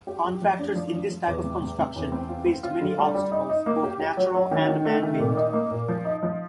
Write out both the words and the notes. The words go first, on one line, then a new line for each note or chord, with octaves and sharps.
Contractors in this type of construction faced many obstacles, both natural and man-made.
G4
G4
F3
D4
F3
F3
F3
E2
C3
C3
C3
E2
C4
F4
C4
F4
D3
G3
G3
D#4
D#4
A#3
G4
G4
F#3
F#3
D#3
D#3
A3
D#3
A#2
D#4
A#3
A#2
F3
D#4
F3